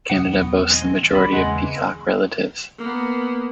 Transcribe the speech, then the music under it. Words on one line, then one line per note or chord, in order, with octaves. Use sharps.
Canada boasts the majority of Peacock relatives.
F#1 E2 C3 F#5 D#6
E2 B2 F#3
D#2 C4 D#5 G#5
D#1 C2 C4 D5 B5
E2 C#3 E3 G#3 A#3 C#4 F#5
A#3 B3